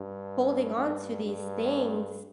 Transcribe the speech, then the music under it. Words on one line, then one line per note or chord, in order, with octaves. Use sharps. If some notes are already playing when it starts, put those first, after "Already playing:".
holding onto these things
Already playing: G2
G2
G2